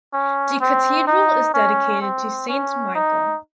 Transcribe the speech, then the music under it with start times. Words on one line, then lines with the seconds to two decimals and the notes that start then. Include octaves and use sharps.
The cathedral is dedicated to St Michael.
0.14 C#4
0.61 C4
1.07 D#4
1.54 C#4
2.01 C4
2.48 C#4
2.95 D#4